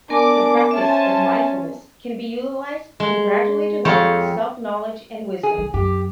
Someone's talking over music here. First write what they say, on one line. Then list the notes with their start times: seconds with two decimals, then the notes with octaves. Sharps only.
The practice of mindfulness can be utilized to gradually develop self-knowledge and wisdom.
0.10 B3 D4 A#4 G#5 D6
0.71 C#4 C5 E5 G#5 A5
3.00 G#3
3.85 F2 G#4 C#5 G5 A5
5.43 G#4
5.57 F1 G3
5.74 F#2 G4